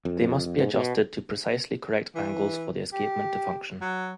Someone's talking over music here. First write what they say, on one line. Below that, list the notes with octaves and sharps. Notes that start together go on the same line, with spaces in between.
They must be adjusted to precisely correct angles for the escapement to function.
F2
G#2
B2
E3
G4
F#3